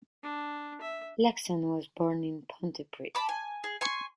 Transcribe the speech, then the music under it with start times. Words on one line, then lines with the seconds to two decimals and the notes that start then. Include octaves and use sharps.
Laxon was born in Pontypridd.
0.23 D4
0.81 E5
3.15 A5 B5 D6
3.29 G#5
3.64 G#4
3.81 G#5 C6 C#6